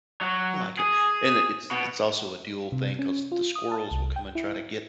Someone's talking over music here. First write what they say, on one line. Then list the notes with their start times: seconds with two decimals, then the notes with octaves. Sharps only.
I like it, and it it's also a dual thing 'cause the squirrels will come and try to get
0.21 F#3
0.79 G#4
1.71 B2
2.72 C3
2.99 C#4
3.32 F4
3.55 D#6
3.72 A5
3.91 C2
4.16 G5
4.35 E4